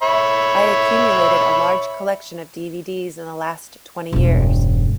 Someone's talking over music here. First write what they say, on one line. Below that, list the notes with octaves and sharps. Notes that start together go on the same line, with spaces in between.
I accumulated a large collection of dvds in the last twenty years.
C#5 E5 B5
E1 G2